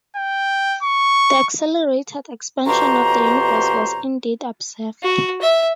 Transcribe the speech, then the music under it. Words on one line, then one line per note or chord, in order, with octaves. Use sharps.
The accelerated expansion of the Universe was indeed observed.
G5
C#6
F2 B2 G4 C5 C#5 A#5
F#4
E5